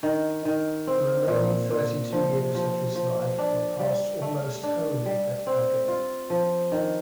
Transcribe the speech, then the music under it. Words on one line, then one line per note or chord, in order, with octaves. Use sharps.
The remaining thirty-two years of his life were passed almost wholly at Agen.
D#3
D#3
C4
A#2
A#2
F3
F3
F3
D4
G3
A3
D4
G3
C4
F4
F3
D#3